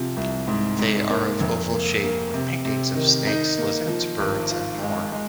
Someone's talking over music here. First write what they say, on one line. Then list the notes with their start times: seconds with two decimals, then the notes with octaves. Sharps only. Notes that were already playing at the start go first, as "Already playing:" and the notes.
They are of oval shape with paintings of snakes, lizards, birds and more.
Already playing: C3 F3
0.17 C2
0.47 G#2
0.79 G#2
1.09 A#3
1.40 F1
1.72 A#3
2.03 A#3
2.34 C3
2.65 C3
2.95 D#3
3.27 D#4
3.58 A#3
3.88 F3
4.20 G#1
4.51 F4
4.82 G#3
5.12 G#3